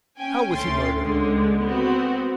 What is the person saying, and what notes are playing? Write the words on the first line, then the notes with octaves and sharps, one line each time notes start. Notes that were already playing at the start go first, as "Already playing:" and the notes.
How was he murdered?
C#4 G5 G#5
D2 A3 C#4 G5 C6 A6
C#2 D3 G#3
B3 C4 F#4